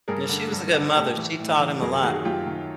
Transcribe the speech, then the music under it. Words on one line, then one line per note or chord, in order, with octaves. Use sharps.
Yeah, she was a good mother, she taught him a lot.
G2 G#4 A#4
D3
G2
D3
A2 G4 A4
E3
A2
E3
F#2 G#4 A#4
G4 A4
D#3 F#4 G#4
F#4 G#4
F#2 F4 G4
D#3